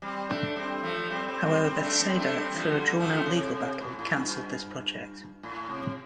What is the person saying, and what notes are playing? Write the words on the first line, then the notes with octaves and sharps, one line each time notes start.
However Bethesda, through a drawn out legal battle, cancelled this project.
G3 C4
A3 D4
G3 C4
F3 A3
G3 C4
G3 C4
G3 C4
G3 C4
A3 D4
G3 C4
A3 D4
G3 C4
F3 A3
D3 G3
F3 A3
C3
C3
A2
A2
G2
A2
C3